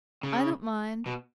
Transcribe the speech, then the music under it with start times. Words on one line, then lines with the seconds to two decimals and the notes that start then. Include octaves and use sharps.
"I don't mind."
0.23 C#3
1.06 B2